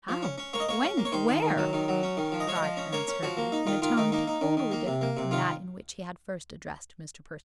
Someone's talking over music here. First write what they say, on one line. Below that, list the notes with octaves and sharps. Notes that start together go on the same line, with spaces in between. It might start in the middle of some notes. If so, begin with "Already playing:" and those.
"How?--When?--Where?" cried Clarence Hervey, in a tone totally different from that in which he had first addressed Mr. Percival.
F3
C#4
C#4
A#3 C#5
D#5
A#3 C#5
C#4
A#3
C#5
D#3 C5
D#3
D#3
F#3
D#3
F#3
C#4
D#3
F3
D#5
F3 C#5
D#5
F3
C#4
A#3 C#5
C#4
F3 F#4
A#3
D#4
D#3 F4
D#3 F4
D#3 D#4
A#3 D#4
D#4
D#3
D#3
A#3
C3
A#3
C3
D#3 F4